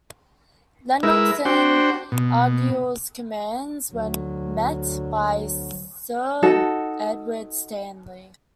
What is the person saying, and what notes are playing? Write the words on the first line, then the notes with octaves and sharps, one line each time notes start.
Lennox and Argyll's commands were met by Sir Edward Stanley.
G#3 E4 A#4 B4 E5
D4 F#4 C5 G5
B2
D2 F#3
D#4 F#4 A4